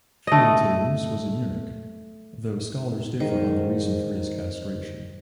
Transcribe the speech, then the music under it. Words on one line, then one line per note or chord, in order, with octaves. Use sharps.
Philetaerus was a eunuch, though scholars differ on the reason for his castration.
A3 D#5
G#2 D#3 C5 D#5